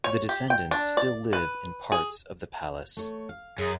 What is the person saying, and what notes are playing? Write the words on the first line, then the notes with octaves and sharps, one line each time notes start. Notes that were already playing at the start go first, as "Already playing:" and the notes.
The descendents still live in parts of the palace.
C#5
G4
G5
D4
D5
B4
G#4
A3 C#5
F5
F#2 G#4